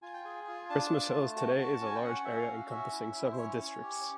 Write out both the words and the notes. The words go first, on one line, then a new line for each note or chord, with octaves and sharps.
Christmas Hills today is a large area encompassing several districts.
F4 G#5
G5
G#4 G#5
F4
D4 A5
F4
A3
F#4 A5
F#4
C#4
G#5
G5
C#4 F#5
C#4 E5
F5
F#4
C#4 E5
E4
E4
C5
C#4 C#5
C#4
G4